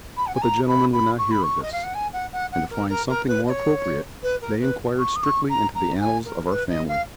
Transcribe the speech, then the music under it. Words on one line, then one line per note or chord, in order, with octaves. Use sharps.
But the gentlemen would not hear of this; and to find something more appropriate, they inquired strictly into the annals of our family.
B5
F#5
G#5
A#5
B5
B5
C#6
B5
C#6
D#5
F5
F#5
G#5
F#5
F#5
F#5
A#4
A#4
A#4
B4
D#5
C#5
B4
A#4
B4
C#6
D#6
C#6
A#5
A#5
G#5
A#4
B4
D#5
F5